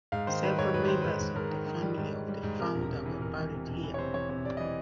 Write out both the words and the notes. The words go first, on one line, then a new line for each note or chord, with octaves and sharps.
Several members of the family of the founder were buried here.
G#2 F5
D#3 C5
D#3 B4
G#2 C#5
G#2 B4
D#3 C5
G#2 B4
G#2
G#2 A#4
D#3
D#3
G3
G#2
G#2
G3
G#2
C3 A#4
E1
C3
E3
E1 A#4
E3
C3
E1
E3
C#5
C3 C5
E3 C#5
C3 C#5
C3 D5
E3 D#5